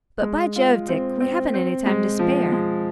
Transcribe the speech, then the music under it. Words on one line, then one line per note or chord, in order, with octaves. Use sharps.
But, by Jove, Dick, we hadn't any time to spare.
G#3
F4
C4
C4
C4
G#3
F3
G#3